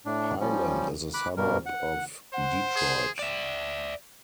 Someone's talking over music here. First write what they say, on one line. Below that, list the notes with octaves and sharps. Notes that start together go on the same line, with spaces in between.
Highland is a suburb of Detroit.
A2 D4
F3 G3 C#4
B5 D6 F#6
G2 B2 G3 A#4
F#5
C5 F#5
G#4
D5 E5